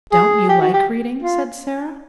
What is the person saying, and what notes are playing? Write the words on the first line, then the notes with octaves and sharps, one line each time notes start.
"Don't you like reading?" said Sara.
G#4
G4
F#4
G4
F4